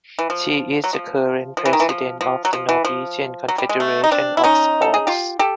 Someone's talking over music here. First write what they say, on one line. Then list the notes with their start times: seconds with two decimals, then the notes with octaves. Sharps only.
She is the current president of the Norwegian Confederation of Sports.
0.19 E3
0.30 F3
0.84 F#3
0.93 F3
1.57 F3
1.65 E3
1.73 D#3
1.80 E3
1.89 F3
2.21 F3
2.45 F#3
2.53 F3
2.69 E3
2.85 F3
3.48 F#3
3.58 G3
3.69 G#3
3.80 A3
4.04 D#4
4.11 C4 D4
4.37 E4
4.44 C#4 D#4
4.82 A4
4.94 G#4
5.07 F4 G4
5.39 G4 A4